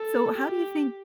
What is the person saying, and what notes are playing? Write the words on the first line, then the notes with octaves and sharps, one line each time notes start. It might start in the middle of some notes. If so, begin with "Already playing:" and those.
So how do you think
Already playing: A4
G4